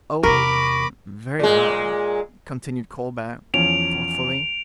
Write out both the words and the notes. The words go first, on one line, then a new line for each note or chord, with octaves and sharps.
"Oh! very well," continued Colbert, thoughtfully.
E2 C3 A#4 B5 C#6 D6 A#6
A#2 G#3
E2 F3 C#4 D7 F7